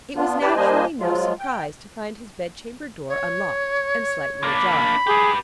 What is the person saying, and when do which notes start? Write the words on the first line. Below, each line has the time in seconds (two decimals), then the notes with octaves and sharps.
It was naturally no surprise to find his bed-chamber door unlocked and slightly ajar.
0.16 B3 D4 F4
0.41 E4 G4 B4 D5 G5 A5
0.55 G3 A#3 D4 C5 D#5 G#5
1.00 F3 F#3 G#3 F4
1.39 G5
3.08 C#5
4.44 A#3 D4 B5
5.07 G4 G#4 B4